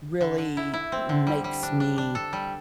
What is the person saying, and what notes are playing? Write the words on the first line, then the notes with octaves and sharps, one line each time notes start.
really m makes me
D3
D3
E4
E4
C4
D3
G3
G3
D4
D4
D4
A4
G3